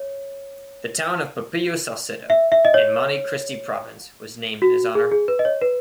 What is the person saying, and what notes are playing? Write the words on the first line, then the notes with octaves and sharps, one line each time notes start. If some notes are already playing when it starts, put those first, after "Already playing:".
The town of Pepillo Salcedo, in Monte Cristi province, was named in his honour.
Already playing: C#5
E5
E5
D#5
C#5
F#4
G#4
G#4
B4
D#5
C#5
B4